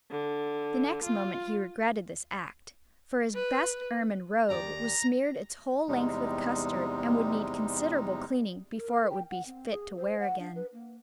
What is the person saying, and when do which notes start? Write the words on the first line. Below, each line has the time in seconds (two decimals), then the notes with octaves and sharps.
The next moment he regretted this act, for his best ermine robe was smeared its whole length with custard, and would need considerable cleaning before it would be fit to wear again.
0.10 D3
1.04 F4
3.34 B4
4.49 D#2 G4 D5 A#5
5.88 E2 C3 G3 G#3 D#4
8.76 A#4
9.10 G5
9.30 F#5
9.46 C4
9.70 G#4
9.96 C5
10.19 F#5
10.40 D4
10.55 B4
10.73 A#3